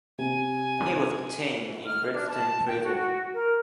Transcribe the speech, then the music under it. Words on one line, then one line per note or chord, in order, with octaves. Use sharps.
He was detained in Brixton Prison.
C3 G#5
F6
D4
A5
G5
F#4
A#4